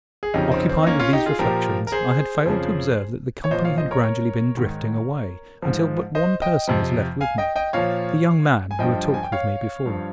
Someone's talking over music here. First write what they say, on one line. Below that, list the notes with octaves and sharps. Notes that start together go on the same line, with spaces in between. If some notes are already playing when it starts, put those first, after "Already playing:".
Occupied with these reflections, I had failed to observe that the company had gradually been drifting away until but one person was left with me--the young man who had talked with me before.
G#4
F2 C#3 F3 D#4 G4
C4 D#4
C4
D#4
A#3 C#4
C#4 F4
D#4 G4
F4 G#4
A#2 F3 G4 A#4
A#4
G#4 C5
F2 C#3 F3
C#5
A#2 F3 C5 D#5
C#5 F5
C5 D#5
A#4 C#5
A#4 C#5
G#2 D#3
G#2 F3
C5 D#5
D#5 G5
F2 C3 F3
F5 G#5
D#5 G5
D#5 G5
A#2 F3 C#5 F5
G#5
G2 F3 D#5 G5
G#5
G5
C#5 F5
G2 F3